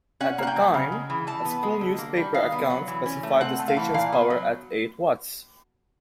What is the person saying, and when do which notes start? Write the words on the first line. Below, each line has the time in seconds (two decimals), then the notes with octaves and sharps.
At the time, a school newspaper account specified the station's power at eight watts.
0.20 C#4 F#5
0.38 A#3 F#5
0.47 G5
0.56 F#3
0.74 C#3
0.92 G#3
1.10 E3
1.27 E3 A5
1.45 B3
1.63 G#3
1.81 D3
1.98 A#3
2.16 G3
2.34 D#3 F5
2.52 B3
2.70 F#3
2.87 E3
3.06 C#4
3.23 A3
3.41 C4 F#5
3.59 A3
3.68 F5
3.77 E3
3.94 A#2 F5
4.12 B3
4.30 F#3